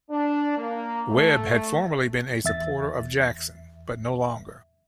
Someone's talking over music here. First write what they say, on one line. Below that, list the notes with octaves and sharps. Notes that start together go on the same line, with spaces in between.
Webb had formerly been a supporter of Jackson, but no longer.
D4
A#3
A3
E2 E5 A6